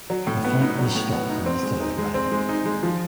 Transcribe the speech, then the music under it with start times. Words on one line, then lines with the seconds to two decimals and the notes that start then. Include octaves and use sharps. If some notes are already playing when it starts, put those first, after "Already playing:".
The fight was stopped in the third round.
0.10 F#3
0.27 A2
0.44 B3
0.61 D#4
0.78 F#3
0.95 A2
1.12 B3
1.29 D#4
1.46 C4
1.63 G#3
1.81 D#4
1.98 G#3
2.14 C4
2.32 G#3
2.49 D#4
2.66 G#3
2.83 F3